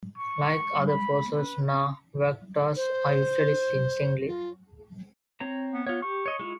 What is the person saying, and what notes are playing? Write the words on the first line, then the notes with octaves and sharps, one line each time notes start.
Like other "Phocoena", vaquitas are usually seen singly.
C#6
B5
B4
C5
F4
C4 C#5 A#5
B3
B3 F4 C#5
G4 C#6
C#5 D#5
G#3 E4 F4